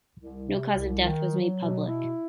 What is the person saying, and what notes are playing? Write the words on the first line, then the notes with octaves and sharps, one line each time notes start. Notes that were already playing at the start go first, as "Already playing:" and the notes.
No cause of death was made public.
C2
C3
C2
D#3
F#3
B2
E4